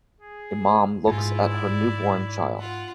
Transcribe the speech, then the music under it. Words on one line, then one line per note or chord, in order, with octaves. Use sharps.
A mom looks at her newborn child.
G#4
G#2 E4 F4 G#4
D5
F4 F#5